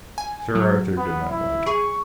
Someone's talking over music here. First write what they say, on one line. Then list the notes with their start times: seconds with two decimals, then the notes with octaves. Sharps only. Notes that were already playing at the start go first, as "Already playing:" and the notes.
Sir Arthur did not like it.
0.18 G#5
0.55 F#3
0.98 B3
1.30 E4
1.66 G#4 C#6